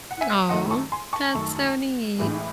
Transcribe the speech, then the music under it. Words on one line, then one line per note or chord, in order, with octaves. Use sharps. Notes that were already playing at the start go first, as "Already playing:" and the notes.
Aw. That's so neat.
F#5
E5 G#5
F#2 D#3 A3 D#5 F#5
A5 C#6
G#5 C6
A5 C#6
F#2 D#3 A3
A1 A2 E3 G#3